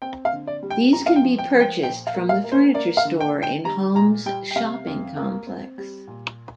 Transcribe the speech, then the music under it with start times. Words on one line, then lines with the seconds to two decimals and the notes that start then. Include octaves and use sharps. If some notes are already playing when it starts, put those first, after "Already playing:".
These can be purchased from the Furniture store in Home's shopping complex.
0.02 C4 G5
0.25 F5
0.33 D3
0.47 D5
0.63 G3
0.70 G5
0.93 F2 A#5
1.06 F5
1.16 G5
1.23 F3
1.38 G5
1.53 F3
1.60 G5
1.83 A#2 G5
2.07 F5
2.14 A#3
2.29 F5
2.44 A#3
2.52 C5
2.74 A#3 D5
2.97 F5
3.05 D3
3.20 G5
3.36 D3
3.43 G5
3.65 G3 A#5
3.95 A#2 A#5
4.26 G3 G5
4.51 G5
4.56 C3 F5
4.87 F2
5.17 A#3
5.47 C4
5.78 G3
6.08 A#2